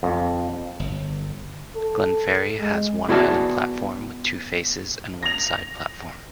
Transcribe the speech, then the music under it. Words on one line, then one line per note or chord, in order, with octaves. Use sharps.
Glenferrie has one island platform with two faces and one side platform.
F2
G1
A4
G#3
B3 E4 F#4 G#4 D5 A5
A#6 F7